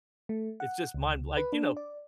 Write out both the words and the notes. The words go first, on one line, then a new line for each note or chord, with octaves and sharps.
It's just mind like, you know?
A3
F#5
C#2
B4
D4
D5